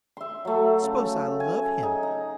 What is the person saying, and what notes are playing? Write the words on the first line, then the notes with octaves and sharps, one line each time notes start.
"S'pose I love him?"
E5 C6
F#3 A3
C#3
G#5
D#4 G#4
A#5